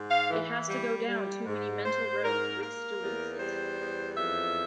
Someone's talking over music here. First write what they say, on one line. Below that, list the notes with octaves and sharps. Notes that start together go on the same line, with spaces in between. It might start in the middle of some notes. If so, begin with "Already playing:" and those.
It has to go down too many mental roads, which dilutes it.
Already playing: G#2
F5
E3
G3
G3
G#2
G#2 C5
G#2 A#4
A#3 A#4
E2
G3 C5
E2
F2 E5